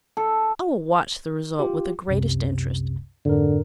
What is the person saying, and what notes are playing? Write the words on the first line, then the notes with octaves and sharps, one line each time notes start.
I will watch the result with the greatest interest.
A4
F4 G4
C2 F#2 C3
F2 G#2 D3 A#4